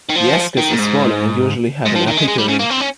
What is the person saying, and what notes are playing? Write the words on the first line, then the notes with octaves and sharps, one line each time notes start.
The ascus are swollen and usually have an apical ring.
D#3
F3
D#3
A#2
G#2
G#2
F3
D#3
G#3
G#3
G3
C#3
A#3
C4
C#4